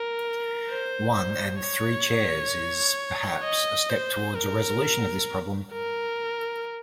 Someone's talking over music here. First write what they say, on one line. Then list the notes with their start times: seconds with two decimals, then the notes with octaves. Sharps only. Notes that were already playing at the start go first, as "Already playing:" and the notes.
"One and Three Chairs" is, perhaps, a step towards a resolution of this problem.
Already playing: A#4
0.69 C5
1.15 C5
1.61 C#5
3.44 D#5
3.90 C5
4.35 A#4
5.73 A#4